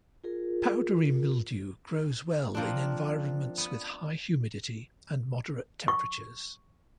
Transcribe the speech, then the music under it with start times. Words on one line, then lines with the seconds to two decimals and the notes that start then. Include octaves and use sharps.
Powdery mildew grows well in environments with high humidity and moderate temperatures.
0.24 F4 G#4 A#4
2.55 F3 A#3 C4 D4
3.58 B3
5.88 C#6